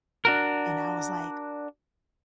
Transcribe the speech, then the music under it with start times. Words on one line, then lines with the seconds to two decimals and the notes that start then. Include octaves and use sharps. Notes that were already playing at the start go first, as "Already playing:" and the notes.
And I was like,
0.25 D4 F#4 A#4